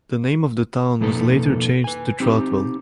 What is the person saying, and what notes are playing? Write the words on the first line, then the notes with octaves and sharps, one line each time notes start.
The name of the town was later changed to Troutville.
F2 B2 A#3 D#4 A4 B4
B4 G#5
C4 D#4 G4